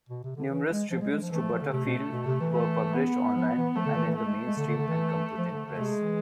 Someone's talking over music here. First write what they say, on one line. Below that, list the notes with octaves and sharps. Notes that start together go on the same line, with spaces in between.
Numerous tributes to Butterfield were published online and in the mainstream and computing press.
B2
C3
D3
E3
G#3
F3
G#3
G#3
F3
E3 A3
F3
F3
D3
C3 A3
B2
B2
C3
E3
A3
B3
F3
E3
F3 A3
D3
E3
E3
A3
G#3
G#3
D3
D3
D3
E3
F3
D3
D3
C3 G#3
E3